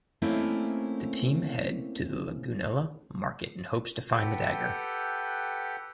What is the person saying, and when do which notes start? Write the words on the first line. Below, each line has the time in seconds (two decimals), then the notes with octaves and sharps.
The team head to the Lagunilla market in hopes to find the dagger.
0.22 A3 A#3 C4 C#4 D#4 E4
4.13 G4 A4 B4 F#5 G5